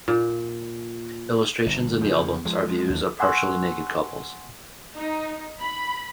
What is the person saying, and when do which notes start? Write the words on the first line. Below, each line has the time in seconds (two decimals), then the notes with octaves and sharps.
Illustrations in the albums are views of partially naked couples.
0.08 A#2
1.66 G1
2.01 F2 C#3 F3
2.45 F3 G#3
2.90 D#2
3.20 F#5 G#5 C6 C#6 E6 F#6
4.96 D#4
5.59 B5